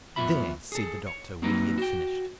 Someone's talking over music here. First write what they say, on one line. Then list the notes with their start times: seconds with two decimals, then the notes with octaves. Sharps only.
"There!" said the doctor when he had finished.
0.16 F2 B3 F4 E5 B5
0.72 G#4 A4
1.07 C#5
1.42 F#3 A#3 C4 D#4 A#4 B4
1.77 F#4 G5